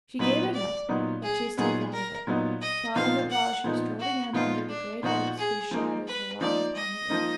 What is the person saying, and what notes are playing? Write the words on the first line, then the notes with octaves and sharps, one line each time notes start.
She gave it up, but she still thought of it--thought of it while she strolled again under the great oaks whose shadows were long upon the acres of turf.
A#2 F#3 B3 D#4 B4
D5
A#2 F#3 B3 D#4
G#4
A#2 F#3 B3 D#4 G#4
A#4
A#2 F#3 B3 D#4
D#5
A#2 F3 B3 D#4 F5
F#5
A#2 F3 B3 D#4
F#4
A#2 F3 B3 D#4 F4
D4
A#2 F3 B3 D#4 F#4
G#4
F3 A#3 D#4
B4
F3 A#3 D#4 D5
D#5
F3 A#3 D#4